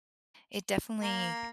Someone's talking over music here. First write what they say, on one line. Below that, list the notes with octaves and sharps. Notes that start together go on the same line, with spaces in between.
it definitely,
A#3